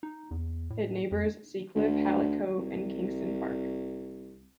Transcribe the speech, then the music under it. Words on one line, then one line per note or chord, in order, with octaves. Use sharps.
It neighbours Seacliff, Hallett Cove and Kingston Park.
D#4
E2
A2
F2
D2
C2